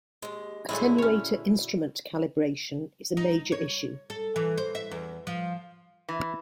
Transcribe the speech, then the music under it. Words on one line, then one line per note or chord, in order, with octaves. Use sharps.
Attenuator instrument calibration is a major issue.
D#2 G#3
A#2 D3 F#3 G#3 A3 E4
C#4 C#5
D#4
C#5
A4
E3
C5
E5
E2
F3
E3